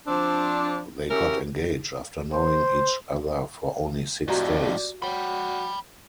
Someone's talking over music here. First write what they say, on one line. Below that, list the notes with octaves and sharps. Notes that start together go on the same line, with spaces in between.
They got engaged after knowing each other for only six days.
F3 C4 D4
C#4 E4 F#4 G4 A#4
C5
F2 A2 F#4 G4 D5 A#5
F#4 C#5 G5 B5